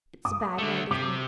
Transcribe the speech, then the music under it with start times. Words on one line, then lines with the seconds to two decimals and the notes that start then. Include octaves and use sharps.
It's a bad night, isn't it?
0.25 D6 D#6
0.58 D3 A3
0.91 C3 D6